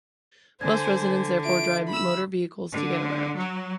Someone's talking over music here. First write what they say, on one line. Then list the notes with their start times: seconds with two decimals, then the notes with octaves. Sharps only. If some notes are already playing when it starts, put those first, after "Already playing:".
Most residents therefore drive motor vehicles to get around.
0.61 D3 C5 G#5 G#6
1.45 F4 E5 D7
1.89 B5 E6
2.73 D3
3.36 F#3